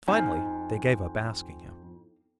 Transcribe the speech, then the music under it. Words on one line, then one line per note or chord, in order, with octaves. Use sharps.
Finally they gave up asking him.
F2 D#4 F4 G#5